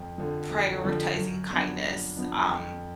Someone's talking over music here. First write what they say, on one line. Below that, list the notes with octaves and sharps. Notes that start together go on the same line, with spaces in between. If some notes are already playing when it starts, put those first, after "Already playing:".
prioritizing kindness, um,
Already playing: F2
D3 F3
F2
D3 F3
F#2
F3 B3 D4
F#2
F3 B3 D4
F2